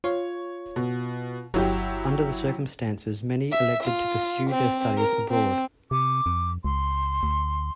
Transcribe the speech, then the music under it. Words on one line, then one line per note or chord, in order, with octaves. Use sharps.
Under the circumstances many elected to pursue their studies abroad.
F4 C#5
B2
G1 F#3 E4 G4
E5
F4
C4
A#4
C4
C3 D6
F2
C#2 C6
D2